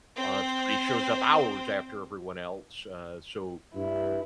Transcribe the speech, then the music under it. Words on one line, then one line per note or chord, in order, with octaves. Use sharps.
uh, if somebody shows up hours after everyone else, uh, so
C4 C5
G2 E4